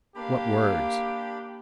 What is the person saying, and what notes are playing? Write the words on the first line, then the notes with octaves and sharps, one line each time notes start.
"What words?"
A#3 D4 G4 F5 B5